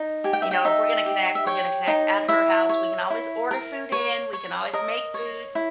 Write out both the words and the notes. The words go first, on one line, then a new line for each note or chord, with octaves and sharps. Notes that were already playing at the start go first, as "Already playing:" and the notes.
you know, if we're gonna connect we're gonna connect at her house, we can always order food in, we can always make food,
Already playing: D#4
G4 G#5
G5
E5
G5
D#4 E5
G4
E5
C#5 G5
D#4
E4 E5
C#5
E4
A#4
C#5
C#5
A#4 D#5
C#5
E4